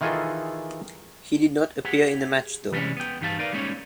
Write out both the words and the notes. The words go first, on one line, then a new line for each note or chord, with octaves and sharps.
He did not appear in the match though.
D#3 E3 F4 G#4 A4 D#5
G4 G#4 F#5
C3 E3 G3 G#3 C4 C#4
B3 G5
G2 E3 D#4 G4 F5 A5
D#4 A#4 B4 D5 F5
G3 G#3 A#3 C#4 D#4 C#5